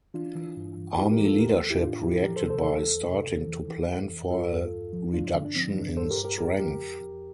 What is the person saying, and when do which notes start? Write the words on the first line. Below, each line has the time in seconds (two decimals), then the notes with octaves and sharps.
Army leadership reacted by starting to plan for a reduction in strength.
0.14 E3 D4 F4
0.35 E3
0.56 G2
0.76 G2
0.98 F2 E4 G4
1.11 G4 A#4
1.18 E3
1.25 F4 A4
1.39 E2 G4 A#4
1.49 A4 C5
1.60 E2
1.70 E4 G4
1.81 A2 D4 F4
2.02 F3 E4 G4
2.22 E3 G4 A#4
2.36 A4 C5
2.43 C3
2.50 A4 C5
2.64 E3 A4 C5
2.85 E2
3.06 C3
3.26 E2
3.47 E3
3.68 E3
3.89 E3
4.10 F2
4.30 G2 F4 A4
4.51 G2
4.72 E2
4.93 F3
5.14 G2 D4 F4
5.35 D3 D4
5.45 D4
5.55 F3 C4
5.76 G2 D4
5.97 G2 A4 C5
6.11 G4 A#4
6.17 G2
6.24 G4 A#4
6.38 F2 G4 A#4
6.59 F2 G4 A#4
6.80 F2
7.01 F2